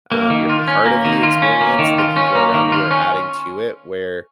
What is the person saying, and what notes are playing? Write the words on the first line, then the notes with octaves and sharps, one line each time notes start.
Um, you're part of the experience, the people around you are adding to it; where,
A#3
D#3
F4
C#4
A#3
D#3
F4
C#4
A#3
D#3
F4
C#4
A#3
D#3
F4
C#4